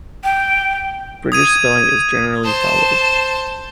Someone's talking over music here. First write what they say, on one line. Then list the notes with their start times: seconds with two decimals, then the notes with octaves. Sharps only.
British spelling is generally followed.
0.24 G5
1.32 D#6 G#6 D#7
2.44 C5 A5